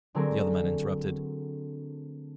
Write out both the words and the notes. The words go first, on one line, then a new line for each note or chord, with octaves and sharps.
The other man interrupted.
D3 F#3 A3 C4 G#4 A#4